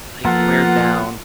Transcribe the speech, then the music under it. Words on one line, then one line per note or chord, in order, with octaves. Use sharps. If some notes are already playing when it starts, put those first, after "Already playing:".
like wear down,
F3 A#3 B3 F4 A4 F#5